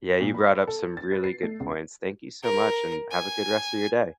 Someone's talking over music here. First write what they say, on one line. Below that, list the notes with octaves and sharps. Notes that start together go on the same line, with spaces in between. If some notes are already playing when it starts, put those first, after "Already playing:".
Yeah, you brought up some really good points. Thank you so much, and have a good rest of your day.
A#2
B5
A4
A6
B4
C7
A3
C#2
A#4
G#5